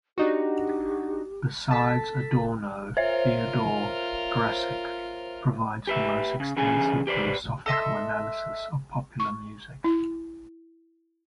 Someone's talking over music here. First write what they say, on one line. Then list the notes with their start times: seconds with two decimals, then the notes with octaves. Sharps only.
Besides Adorno, Theodore Gracyk provides the most extensive philosophical analysis of popular music.
0.18 D4 D#4 F#4 G4
1.71 A4 A5 B6
2.97 F4 A#4 C5 C#5 E5
5.87 G4 B4 E5
6.40 C#3
6.56 E2 D3 B3 C#4 G#4 G#5
7.07 G4 B4 C5 D5
7.66 A4 D#5 E5 C6
9.20 C#6
9.84 E4